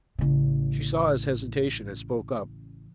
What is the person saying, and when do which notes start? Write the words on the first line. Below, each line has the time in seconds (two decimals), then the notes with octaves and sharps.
She saw his hesitation and spoke up.
0.19 A1 C#3